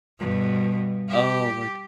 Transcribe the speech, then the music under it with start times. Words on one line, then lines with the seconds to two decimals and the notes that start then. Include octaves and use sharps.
Oh we're g
0.19 G2 B2
1.09 G4